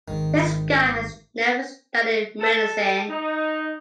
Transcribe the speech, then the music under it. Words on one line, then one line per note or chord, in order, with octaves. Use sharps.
This guy has never studied medicine.
G#1 G#2 D#3
A4
D#4